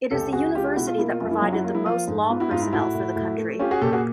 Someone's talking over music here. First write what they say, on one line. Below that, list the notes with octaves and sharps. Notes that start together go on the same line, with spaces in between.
It is the university that provided the most law personnel for the country.
C#2 G4 A4
C#2 F#4 G#4
G#3 F4 G4
F4 G4
B2 E4 F#4
F4
A#3 E4
F4
F#2 F4
E4
F#3 F4
E4 F#4
A#3 F4
E4
F3 F4
G#2
B3 F4
E4 F#4
G#2 F4
E4
A2 E4 F#4
A2
A2
A3
C#4 F4 G4
F#4 G#4
A#2 G4 A4
F#4 G#4